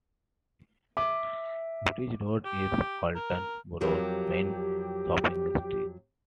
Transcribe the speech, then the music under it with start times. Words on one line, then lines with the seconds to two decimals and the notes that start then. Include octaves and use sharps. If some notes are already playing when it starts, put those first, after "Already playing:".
Bridge Road is Oulton Broad's main shopping street.
0.97 E5 D6
2.45 G4
3.16 A#4
3.81 F2 F#3 G4 A#4